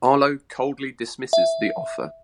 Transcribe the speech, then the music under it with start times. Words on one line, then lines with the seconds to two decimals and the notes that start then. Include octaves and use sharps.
Arlo coldly dismisses the offer.
1.33 E5